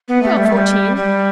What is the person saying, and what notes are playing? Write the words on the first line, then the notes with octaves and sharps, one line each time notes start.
"About fourteen."
B3
A3
G3
A3
G3
G3